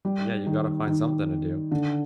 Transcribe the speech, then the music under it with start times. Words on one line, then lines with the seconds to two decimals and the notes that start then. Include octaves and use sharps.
Yeah, you gotta find something to do.
0.05 G3
0.46 D#3
0.87 D#3
1.72 D3